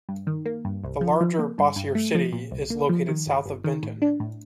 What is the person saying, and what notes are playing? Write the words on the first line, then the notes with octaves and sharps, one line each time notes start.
The larger Bossier City is located south of Benton.
G2
D#3
A#3
G2
C2
F3
F3
A#3
G2
G2
A3
F3
A#2
C2
A#3
F3
D#3
G1
G1
D#3
A2
D4
A2